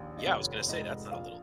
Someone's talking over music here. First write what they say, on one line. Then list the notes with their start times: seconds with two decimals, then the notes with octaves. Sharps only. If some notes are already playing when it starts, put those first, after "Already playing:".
Yeah, I was gonna say that's not a little thing.
Already playing: A#1 D#2
0.18 D#5
0.26 F1 C#5
0.69 G#2 D#5
1.11 A#1 F5